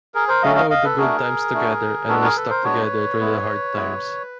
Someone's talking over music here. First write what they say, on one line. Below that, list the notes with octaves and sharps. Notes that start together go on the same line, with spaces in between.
We rode the good times together, and we stuck together through the hard times.
G#4 A#4
A#4 C5
F#3 A3 C#4 D#5 F5
D#5 F5
D#5 F5
A4 B4
A3 D4 F#4 G#4 A#4
A3 D4 F#4
G#3 B3 D4 F#4 A4 B4
G#4 A#4
A4 B4
A#4 C5
G#3 B3 D4 F#4 B4 C#5
G#3 B3 E4
G#3 B3 E4